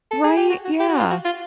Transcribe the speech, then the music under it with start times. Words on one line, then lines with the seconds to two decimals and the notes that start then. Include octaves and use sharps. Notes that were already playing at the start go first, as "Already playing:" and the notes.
Right? Yeah,
0.11 A4
0.24 G#4
0.37 G4
0.50 F#4
0.65 F#4
0.80 G4
0.89 F#4
0.99 F4
1.10 F#4
1.25 F4